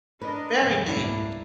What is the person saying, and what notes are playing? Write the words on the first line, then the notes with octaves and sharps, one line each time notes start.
Very dangerous.
D4 A#4 B4 D#5
C#2 F#2 B2 E3 F#3
G#2 G3 A3 A#3 D4 E4